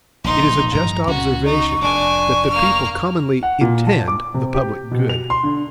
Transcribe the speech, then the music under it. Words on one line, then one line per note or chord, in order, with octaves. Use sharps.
It is a just observation, that the people commonly INTEND the PUBLIC GOOD.
D1 A#1 D#4 C6
A1 G2 F3 A#5
C#2 C#4 F#4
D#4 C#6
F1 F2 D4 G#5
A#3 F6
F#5
A#2
A5
D6
C3
G4
B2
F7
C6
D3